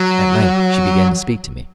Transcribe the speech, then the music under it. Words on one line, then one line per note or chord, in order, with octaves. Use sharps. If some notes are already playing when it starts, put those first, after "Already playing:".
At length she began to speak to me.
Already playing: F#3